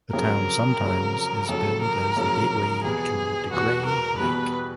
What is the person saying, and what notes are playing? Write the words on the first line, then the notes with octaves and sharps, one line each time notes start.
The town sometimes is billed as "The Gateway to DeGray Lake".
F2 C#3 F#3 A#4
F2 C#3 F#3
F2 C#3 F#3 A4
A#4
F2 C#3 F#3
E2 B2 G3 B3 G#4
E2 B2 G3 B3 F#4
A#4
E2 B2 G3 B3 B4